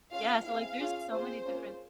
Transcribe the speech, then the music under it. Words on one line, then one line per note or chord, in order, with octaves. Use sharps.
Yeah so, like, there's so many different
C#4 F4 G#4 F5
C4 E4 G#4 F5
C#4 F4 G#4
C4 F4 G#4 C5
A#3 C#4 F4 G#4